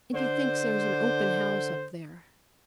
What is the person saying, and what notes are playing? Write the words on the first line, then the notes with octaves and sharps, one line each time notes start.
"And he thinks there's an open house up there."
D3 C5